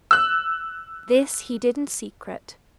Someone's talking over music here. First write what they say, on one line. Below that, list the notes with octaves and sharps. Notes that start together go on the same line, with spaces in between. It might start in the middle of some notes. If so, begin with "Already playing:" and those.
This he did in secret.
E6 F#6